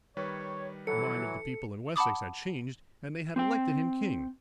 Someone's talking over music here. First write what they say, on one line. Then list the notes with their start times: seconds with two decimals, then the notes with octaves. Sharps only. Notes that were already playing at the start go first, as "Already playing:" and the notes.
The mind of the people in Wessex had changed and they had elected him king.
0.17 D#3 G3 B4 C#5
0.87 E3 F#3 A4 C#7
1.96 F#5 A5 B5 D6 D#6
3.36 C4 G5